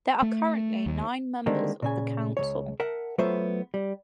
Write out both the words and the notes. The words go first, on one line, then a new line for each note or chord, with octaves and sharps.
There are currently nine members of the council.
A3
D#2
D3 D#3 G3 G#3 A#3 C4
A#2 C#3 G#5
C#2 C#3 C#5
A#4 E5 F#5 A5
F#3 A3 B3 F4 C5 E5
G3